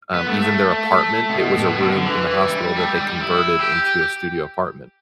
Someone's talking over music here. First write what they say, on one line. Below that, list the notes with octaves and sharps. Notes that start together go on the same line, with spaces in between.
um, even their apartment, it was a room in the hospital that they converted into a studio apartment.
B3
A3
A3
B2
A2
B2
D3
B2
D3
E3
G3
A3
G3
G3
G3
E4
G4